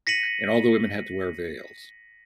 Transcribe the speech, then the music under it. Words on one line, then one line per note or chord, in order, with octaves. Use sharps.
and all the women had to wear veils.
A#6 B6 C#7 D#7 F#7